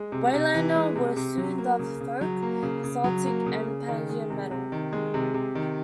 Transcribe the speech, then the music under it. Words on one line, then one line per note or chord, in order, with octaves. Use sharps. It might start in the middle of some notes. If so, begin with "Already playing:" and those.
"Waylander" were soon dubbed folk, Celtic and pagan metal.
Already playing: G#3
C3
C3
E3
G#3
C3
C3
F#3
A#3
C#3
C#3
F#3
A#3
C#3
C#3
F#3
A#3
C#3
C#3
D#3
G#3
C3
C3
D#3
G#3
C3
C3
D#3